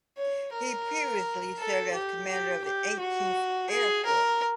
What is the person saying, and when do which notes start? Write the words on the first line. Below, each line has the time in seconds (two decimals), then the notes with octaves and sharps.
He previously served as commander of the Eighteenth Air Force.
0.17 C#5
0.53 A#4
1.58 A4
1.94 G4
2.29 G4
2.64 G4
2.99 F#4
3.70 G#4
4.05 A#4